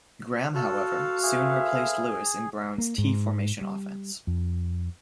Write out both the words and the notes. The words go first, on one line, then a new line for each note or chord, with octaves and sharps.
Graham, however, soon replaced Lewis in Brown's T formation offense.
C4 F#4 A4 F5 A5
G#4 A4 B4 E5
A#3
G#2
G3
F2